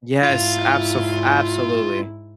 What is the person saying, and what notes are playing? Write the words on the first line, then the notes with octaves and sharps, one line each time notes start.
Yes, abso f absolutely.
G#2 E4 F4